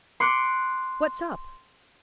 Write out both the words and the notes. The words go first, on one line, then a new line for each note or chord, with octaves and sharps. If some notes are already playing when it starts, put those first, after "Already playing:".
What's up?
C6 D6 F#6 C#7